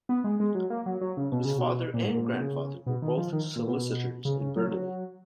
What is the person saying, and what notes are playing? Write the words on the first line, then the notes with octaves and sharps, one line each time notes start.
His father and grandfather were both solicitors in Burnley.
B3
G#3
G#3
F#3
A#3
F#3
F#3
C#3
B2
C#3
B2
A#2
G#2
A#2
B2
C#3
B2
D#3
F3
D#3
A#2
B2
C#3
C#3
F#3
F#3